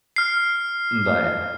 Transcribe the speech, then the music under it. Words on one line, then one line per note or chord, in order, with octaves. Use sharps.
Mm bye.
F6 C7